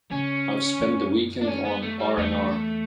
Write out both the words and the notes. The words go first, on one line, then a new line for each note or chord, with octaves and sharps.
I've spent the weekend on R and R.
C#3 C#4
F#2
D4
C#4
B3
A3
G3
E2 A3